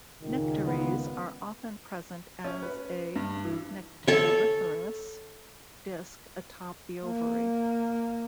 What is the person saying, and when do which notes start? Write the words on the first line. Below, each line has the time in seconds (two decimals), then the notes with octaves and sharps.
Nectaries are often present as a nectariferous disk atop the ovary.
0.22 C#2 A#2 D#3
0.67 B3
2.45 C#4
2.63 B4
3.16 G2
3.45 E3
4.07 A4 C#5
7.05 A#3